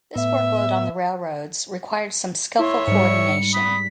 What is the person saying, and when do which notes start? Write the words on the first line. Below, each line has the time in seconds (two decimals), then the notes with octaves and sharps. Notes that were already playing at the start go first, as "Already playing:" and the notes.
This workload on the railroads required some skillful co-ordination.
0.16 A2 B3 E5
2.59 E4 C#5 E5 C6
2.87 G#2 G3 C#7
3.54 B5 D#6 B6